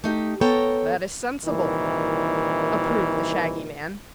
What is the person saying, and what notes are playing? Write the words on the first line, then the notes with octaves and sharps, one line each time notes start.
"That is sensible," approved the Shaggy Man.
A3 D#4 G4
B3 A4 C#5 G5 A#5
C2 A#2 D#3 E3